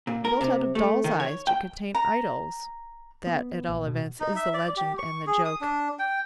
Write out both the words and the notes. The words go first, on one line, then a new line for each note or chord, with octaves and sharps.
"Built out of doll's eyes to contain idols"--that, at all events, is the legend and the joke.
A#2
A#4
C3
A3
D#3
C#5
G5
A#5
B3
A#1
B2
D#4
E5
D5
G4
C#6
G#4
D#6
D4
G5